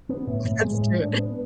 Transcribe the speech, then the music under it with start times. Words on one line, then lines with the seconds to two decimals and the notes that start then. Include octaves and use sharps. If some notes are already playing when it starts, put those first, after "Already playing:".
that's true.
0.09 B3
0.27 A2
0.45 A2
0.63 G#3
0.81 A2
1.00 D4
1.18 B3